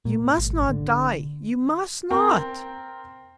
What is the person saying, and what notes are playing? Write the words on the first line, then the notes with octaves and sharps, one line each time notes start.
"You must not die--you must not!"
A#2
G#1
D3
C4 A#4 G5